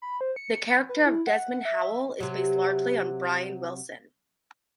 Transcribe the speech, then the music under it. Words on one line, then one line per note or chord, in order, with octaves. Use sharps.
The character of Desmond Howl is based largely on Brian Wilson.
B5
C5
C#7
B4
E4
F#5
E5
C3 F#3